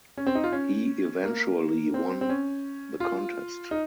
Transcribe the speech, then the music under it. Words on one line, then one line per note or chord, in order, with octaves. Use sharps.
He eventually won the contest.
C#4
C4
D#4
F4
C#4
A#3
C4
C4
C#4
F4
D#4